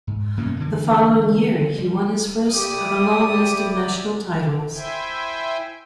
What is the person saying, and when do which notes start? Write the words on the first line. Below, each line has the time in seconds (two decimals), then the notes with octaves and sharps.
The following year, he won his first of a long list of national titles.
0.07 G#2
0.37 F#2 B2 A#3 C#4
0.60 D3 E3 G3
1.78 G3
2.54 E4 G4 D5 G5 D#6
4.74 E4 C5 E5 G5 G#5